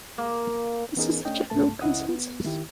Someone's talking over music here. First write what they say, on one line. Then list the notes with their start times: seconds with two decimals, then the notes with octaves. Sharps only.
This is the general consensus.
0.18 A#3
0.96 E3 B3 C#4 D#4 G#4 A#4
1.25 A3 C#4 D4 D#5 G5
1.50 C2 G2 A3 A5
1.81 C#2 C#4 E4 D#5 F#5 D#6
2.09 B3
2.45 D#3 E4 G4